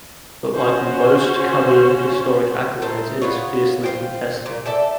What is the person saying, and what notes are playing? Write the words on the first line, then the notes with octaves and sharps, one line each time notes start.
But like most coveted historic accolades, it is fiercely contested.
C#4 F4 F#4 C5 C#5
D#4 A4 C5 E5
B3 F4 C#5
F4 C5 G5
A#2
A4 D5 E5 A5